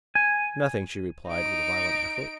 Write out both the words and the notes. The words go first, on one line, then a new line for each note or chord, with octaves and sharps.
"Nothing," she replied with a violent effort.
G#5
D#4 D7